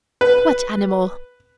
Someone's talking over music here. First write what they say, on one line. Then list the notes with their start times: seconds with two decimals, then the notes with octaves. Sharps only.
"What animal?"
0.21 B4